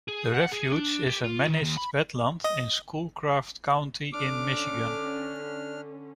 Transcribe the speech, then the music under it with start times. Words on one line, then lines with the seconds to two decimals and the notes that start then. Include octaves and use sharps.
The refuge is a managed wetland in Schoolcraft County in Michigan.
0.08 G#4
0.34 F#5
0.52 G#4
0.72 D4
1.07 G4
1.24 F4
1.47 D#3
1.62 D#2
1.77 B5
2.44 D#5
4.13 D3 C#4 D4 D6 F6